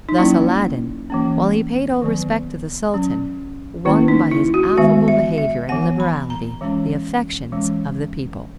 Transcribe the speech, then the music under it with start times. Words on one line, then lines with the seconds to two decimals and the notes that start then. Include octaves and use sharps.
Thus Aladdin, while he paid all respect to the sultan, won by his affable behaviour and liberality the affections of the people.
0.09 D#4
0.18 F#3 A#3 C#4 E4
1.10 E3 A#3 C#4
2.02 D#3 F#3 B3
2.94 F#3 C#4
3.85 D#3 A#3 C#4 E4
4.08 D#4
4.31 E4
4.54 F#4
4.77 D#3 G#3 B3 E5
5.08 E5
5.38 E5
5.69 E3 B3 F#5
6.00 B5
6.30 A#5
6.61 E3 G#3 C#4
7.52 E3 G#3 C#4